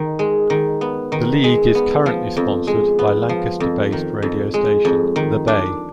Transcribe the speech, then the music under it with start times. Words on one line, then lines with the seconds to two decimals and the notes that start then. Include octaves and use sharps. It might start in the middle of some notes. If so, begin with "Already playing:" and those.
The league is currently sponsored by Lancaster-based radio station The Bay.
Already playing: D#3
0.19 G#3
0.50 D#3
0.81 B3
1.12 D#3
1.44 G#3
1.75 B3
2.06 F3
2.37 F2
2.67 G#3
2.99 B3
3.29 F3
3.60 F2
3.92 D#3
4.22 F2
4.54 G#3
4.85 F2
5.16 D#3
5.48 D4